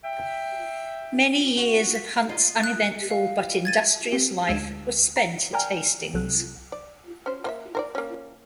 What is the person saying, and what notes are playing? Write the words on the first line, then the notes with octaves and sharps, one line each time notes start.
Many years of Hunt's uneventful but industrious life were spent at Hastings.
E5 G5
F#4
B6
F4 D#5
F#6
F5
G#6 A6 D#7
C4 G4
D2 G#3 E6 G#6 E7
A#5
A#4 D5 G5 G#5 A#5 F6
C2 F#3 A4 F#6
D5
C#4 C5
A#3 C5 E5
A#4 C5 D5
A#3 C#4